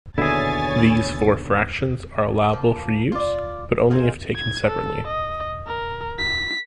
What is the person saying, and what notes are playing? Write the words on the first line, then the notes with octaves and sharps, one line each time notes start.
These four fractions are allowable for use, but only if taken separately.
D#2 B2 D3 E4 G#4 C#5 G#5 A6
F3 A#3
F4 D5
C4 D#4 G#4 F5
G#6
A4
D#5
A#4
B6